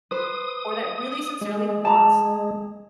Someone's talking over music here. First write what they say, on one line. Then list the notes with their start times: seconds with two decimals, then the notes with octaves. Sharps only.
or that really sincerely wants
0.11 B4 C5 D#6
1.41 G#3
1.85 A5 A#5